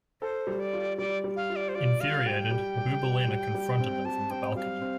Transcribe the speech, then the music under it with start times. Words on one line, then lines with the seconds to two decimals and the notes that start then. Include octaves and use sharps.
Infuriated, Bouboulina confronted them from the balcony.
0.21 A4 C5
0.47 G3
0.59 D5
0.73 F4
0.97 G3 D5
1.24 G3
1.36 F5
1.50 F4
1.56 D5
1.69 C5
1.75 F4 D5
2.00 G3 F5
2.26 G3 G5
2.51 G3
2.77 G3
3.03 G3
3.28 G3
3.54 G3
3.80 C4
4.05 G3 A5
4.30 C4 G5
4.56 G3 F5
4.81 C4